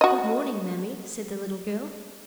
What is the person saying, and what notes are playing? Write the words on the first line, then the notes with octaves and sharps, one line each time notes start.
"Good morning, mammy," said the little girl.
F#4 D#5